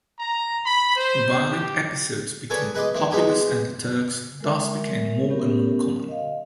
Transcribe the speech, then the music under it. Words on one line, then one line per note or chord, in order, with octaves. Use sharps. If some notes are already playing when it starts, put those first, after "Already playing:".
Violent episodes between the populace and the Turks thus became more and more common.
A#5
B5
C5
G4
G#4 A4 B4 C#5 D5
G#4 B4 D#5 C6 D6
E3 A3 C4
G#3 B3 G4 G#4
G#3 A#4 E5
B3 C#4 G4 A#4
D#5 F5